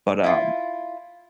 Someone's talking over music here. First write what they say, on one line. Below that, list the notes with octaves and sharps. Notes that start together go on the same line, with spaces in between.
but, um,
E4 F4